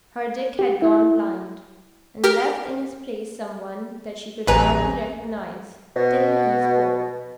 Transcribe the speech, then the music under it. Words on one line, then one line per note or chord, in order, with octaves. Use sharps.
Her Dick had gone blind and left in his place some one that she could hardly recognise till he spoke.
G4
E4
G4 A#4 F6
D1 A1 B4 G#5 A#5
B2